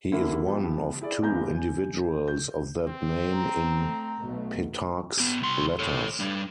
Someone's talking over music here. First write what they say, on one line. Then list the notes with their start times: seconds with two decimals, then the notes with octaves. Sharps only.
He is one of two individuals of that name in Petarch's letters.
0.12 D3 F#3 A#3 C#4 E4
0.47 F3 B3 G4
1.01 E4 G#4 D5
1.22 G#1 E2 A#5 G6
1.54 G#5
2.28 G6
2.87 C4
3.33 A#5
3.77 A3
4.22 B1 B2 A3
5.18 B3 G4
5.41 C2 C6
5.79 A4 C#5
6.20 G3 D4